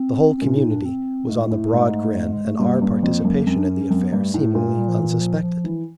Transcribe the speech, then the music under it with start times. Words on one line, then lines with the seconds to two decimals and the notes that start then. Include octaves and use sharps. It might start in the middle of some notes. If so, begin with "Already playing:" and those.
The whole community was on the broad grin, and our participation in the affair seemingly unsuspected.
Already playing: C4
0.37 C4
0.41 A#2 C#4
0.56 D#4
0.70 D4
0.85 C4
1.29 G#2 A3
1.51 A2
1.73 G#2
2.32 G#3
2.46 A3
2.59 G2 A#3
2.82 G2
3.03 F2
3.25 F#2
3.47 F#2 C4
3.58 D4
3.68 C#4
3.79 C#4
3.90 F#2 C4
4.01 B3
4.12 G2 A#3
4.23 A3
4.34 A2
4.55 A#2
4.77 G3
4.89 F3
4.99 E3
5.10 E3
5.21 F3
5.43 F3
5.64 E3